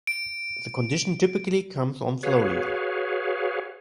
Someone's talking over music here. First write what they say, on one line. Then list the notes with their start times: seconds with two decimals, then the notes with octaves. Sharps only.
The condition typically comes on slowly.
0.07 D7
2.23 F#4 G#4 B4 C#5 F5